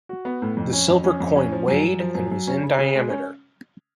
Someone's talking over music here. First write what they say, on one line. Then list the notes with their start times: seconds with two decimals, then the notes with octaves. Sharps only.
The silver coin weighed and was in diameter.
0.09 F#4
0.25 B3
0.42 A2
0.57 F2
0.73 C#4
0.88 F2
1.04 C#4
1.20 F2
1.36 C#4
1.52 F3
1.68 F#2
1.84 F#2
2.00 F3
2.15 F#2
2.32 F#2
2.47 C#4
2.62 C#3
2.79 C#3
2.95 G#3
3.10 C#4